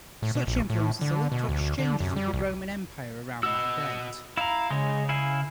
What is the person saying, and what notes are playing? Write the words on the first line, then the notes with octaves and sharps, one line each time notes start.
Such influences are linked to exchanges with the Roman Empire around that date.
A2
B2
A#1
A2
D3
B2
D2
D2
D3
F#2
G3
C2
F#4 D#5 E6
E4 F5 A#5
C#3 G#3 C#5
E4 F5 G#5